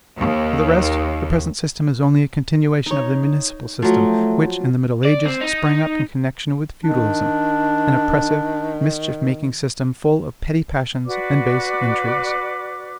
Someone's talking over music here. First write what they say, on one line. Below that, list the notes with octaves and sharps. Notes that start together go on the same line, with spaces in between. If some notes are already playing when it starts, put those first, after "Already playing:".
For the rest, the present system is only a continuation of the municipal system, which, in the middle ages, sprang up in connection with feudalism,--an oppressive, mischief-making system, full of petty passions and base intrigues.
D#2
D#4 C#5
F3 F#3 A3
D5
C4
D#4
D#3 D4
F#4 B4 D5 D6